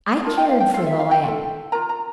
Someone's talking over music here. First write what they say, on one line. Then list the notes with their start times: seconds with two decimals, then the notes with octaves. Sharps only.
I cared for the lad.
0.25 F4 A#4 A5
0.37 G5
0.49 F5
0.60 G5
0.74 F4 A4 F5
0.86 E5
0.99 F5
1.11 G5
1.24 F4 A4
1.72 F4 A#4 A#5
1.89 A#5